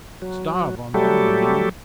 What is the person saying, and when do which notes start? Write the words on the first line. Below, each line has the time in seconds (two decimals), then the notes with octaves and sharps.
"Starve on them, you mean?"
0.22 F#3
0.94 F#3 G3 A3 G4 A4